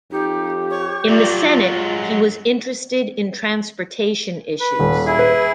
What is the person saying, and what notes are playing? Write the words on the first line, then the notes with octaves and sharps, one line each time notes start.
In the Senate, he was interested in transportation issues.
F2 D#4 G4
C#5
G2 F#3 F4 D5
G#3
B4
D#1
E4 G#4
B4